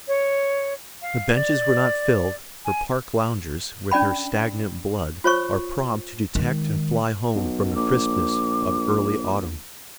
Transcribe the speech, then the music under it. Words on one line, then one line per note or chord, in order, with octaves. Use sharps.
The benches were not filled; for park loungers, with their stagnant blood, are prompt to detect and fly home from the crispness of early autumn.
C#5
F5
D5
G#5
C#4 D4 D5 G5 B5
F4 C5 C#5 C#6
D#3 G#3
B1
A#1 D6